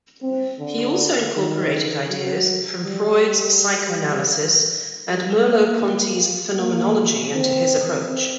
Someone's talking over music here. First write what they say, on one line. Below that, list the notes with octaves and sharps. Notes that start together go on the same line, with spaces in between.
He also incorporated ideas from Freud's psychoanalysis and Merleau-Ponty's phenomenology into his approach.
C4
D3
D#3
F#3
G3
G3
A#3
A#3
C4
C4